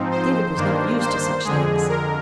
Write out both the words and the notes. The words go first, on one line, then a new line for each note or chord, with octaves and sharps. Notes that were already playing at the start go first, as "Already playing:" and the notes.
David was not used to such things.
Already playing: G#2 F3 C4 D#4
C5
G2 D#3 A#3 D4
C5
F2 D3 G#3 G#4
A#4